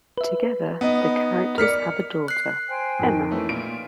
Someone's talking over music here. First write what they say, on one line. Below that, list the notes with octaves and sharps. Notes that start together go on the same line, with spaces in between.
Together, the characters have a daughter, Emma.
B4 E5
B3 D#4 D#5
A#4 D5 F6 B6 C#7
F#6 C7
C5 G5 G#5
F2 D#3
E3 A3 C#4
A#2 F4 D7